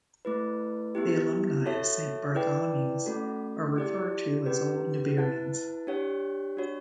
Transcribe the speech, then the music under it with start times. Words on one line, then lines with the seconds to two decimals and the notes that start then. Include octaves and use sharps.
The alumni of Saint Bartholomew's are referred to as "Old Newburians".
0.25 A3 E4 B4
0.95 B3 E4 G4
1.66 F#4 A4 C#5 E5 A5
2.35 E4 B4 D5 G5
3.06 A3 C#4 F#4 A4
3.76 E4 G4 D5
4.46 C#4 G4 B4
5.17 E4 B4 F#5 A5
5.87 D4 G4 C#5 F#5
6.57 D4 F#4 C#5